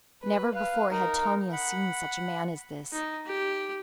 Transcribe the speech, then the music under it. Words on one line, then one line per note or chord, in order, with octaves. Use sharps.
Never before had Tonia seen such a man as this.
B4
B4 F5
D#4 A#4
F#5 B5
D#4
G4